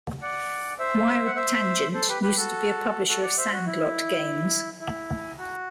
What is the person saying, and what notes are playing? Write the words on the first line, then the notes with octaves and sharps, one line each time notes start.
WildTangent used to be a publisher of Sandlot Games.
D5 F#5
C5 E5
F#5
C5 E5
A4 C5
G4 B4
G4 B4
F#4 A4
F#4 A4
D5 F#5
C5 E5
F#4
E4
E4
F#4